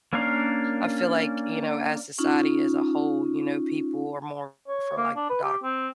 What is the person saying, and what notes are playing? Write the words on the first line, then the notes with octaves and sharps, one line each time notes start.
I feel like, you know, as society as a whole, you know, people are more for like doctors
A#3 C#4 D4 A#4 F5
C#4 D#4 F4
C#5
A#3
D4
B4
G4
C4